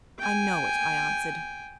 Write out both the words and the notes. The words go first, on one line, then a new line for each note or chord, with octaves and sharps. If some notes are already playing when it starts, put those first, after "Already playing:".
'I know it,' I answered.
G5 G#5